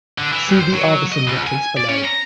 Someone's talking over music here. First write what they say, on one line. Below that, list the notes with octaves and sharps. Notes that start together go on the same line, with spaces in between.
See the Arveson reference below.
D3
E3
G2
C5
F#3
D#5
C#2
G#5
D5
C#4
A#5